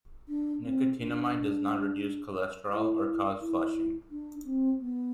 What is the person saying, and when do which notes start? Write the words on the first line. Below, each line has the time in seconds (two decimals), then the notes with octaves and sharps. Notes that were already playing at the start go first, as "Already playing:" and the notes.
Nicotinamide does not reduce cholesterol or cause flushing.
0.29 D4
0.63 C4
0.98 D4
2.72 E4
3.41 E4
4.11 D4
4.45 C4
4.80 B3